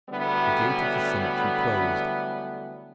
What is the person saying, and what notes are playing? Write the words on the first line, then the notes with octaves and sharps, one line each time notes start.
The gate of the cemetery closed.
D3 E3 F#3 G3 A3 B3